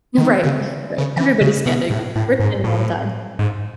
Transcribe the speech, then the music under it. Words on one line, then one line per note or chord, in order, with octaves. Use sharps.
Right, right, everybody's standing, we're standing all the time.
D#3
C#3
C#3
E3
C#3
B2
A2
A2
G#2
A2
G#2